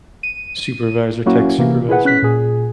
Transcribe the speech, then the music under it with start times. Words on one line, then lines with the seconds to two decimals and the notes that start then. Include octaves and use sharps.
Supervisor tech supervisor.
0.23 D#7
1.26 F#3 A#3 C#4 E4 F#4
1.58 C3 E3 A#3
1.88 E4 G#4 B4 F#5
2.05 C#4 F#6 B6
2.22 A#2 G#4